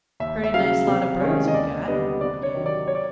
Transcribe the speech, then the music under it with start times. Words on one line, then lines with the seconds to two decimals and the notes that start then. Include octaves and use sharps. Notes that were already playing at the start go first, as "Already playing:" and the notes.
"Purty nice lot of burros you've got," he began.
0.20 D#2 E5
0.44 E5
0.54 C#3 F#3 F5
0.87 C3
1.20 D#3 G#3 C#4
1.48 D#5
1.54 D#2 D5
1.88 D3 G3 B3 D4 D#5
2.21 C3 D5
2.43 C#5
2.54 D#3 F#3
2.66 D5
2.88 C#5
2.95 D5